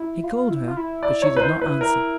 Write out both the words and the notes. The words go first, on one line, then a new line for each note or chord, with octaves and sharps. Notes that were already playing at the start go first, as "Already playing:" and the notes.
He called her, but she did not answer.
Already playing: E4
F4
E4
F4
E4
D5
C#5
B4
C5
B4
A#4